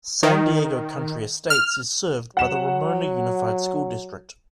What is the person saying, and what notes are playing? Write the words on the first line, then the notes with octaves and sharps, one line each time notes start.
San Diego Country Estates is served by the Ramona Unified School District.
D#3
F6
F#3 F#5 E7